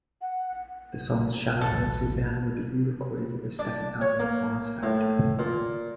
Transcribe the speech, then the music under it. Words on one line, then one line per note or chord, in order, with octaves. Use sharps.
The songs "Shallow" and "Suzanne" would be re-recorded for their second album "Oz Factor".
F#5
A1 D2 A4 B4
D4
C#5
A#3
A2
A#2